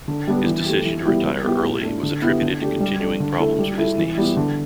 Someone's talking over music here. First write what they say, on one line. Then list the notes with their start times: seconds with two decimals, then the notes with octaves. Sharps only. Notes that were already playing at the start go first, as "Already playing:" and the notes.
His decision to retire early was attributed to continuing problems with his knees.
0.08 D3
0.27 G3 B3 D4
0.47 E3
0.66 A3 G4
0.85 E3
1.05 G3 B3 E4 G4
1.24 G3
1.44 B3 E4 G4
1.63 A2
1.83 A3 D4 A4
2.03 D3
2.22 B3 E4 G4
2.42 D3
2.61 A3 D4 G4
2.80 G3
2.99 D4 A4
3.20 D3
3.39 A3 E4 A4
3.59 G3
3.78 E4 A4
3.98 E3
4.18 G3 B3 E4
4.37 D3